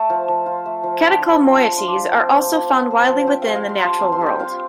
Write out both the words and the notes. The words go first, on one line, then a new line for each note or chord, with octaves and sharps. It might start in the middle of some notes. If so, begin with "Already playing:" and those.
Catechol moieties are also found widely within the natural world.
Already playing: A3 A5
F3
F3
F4
A3
F3
D4
F3
F3
F4
C6
D4
D6
F3
C4 G5
F3
F3
F4
C4
F3
C4 G5
G3 F5
F5
G3 C6
F4 A5
C4 C6
C6
G3
G5
F4 F5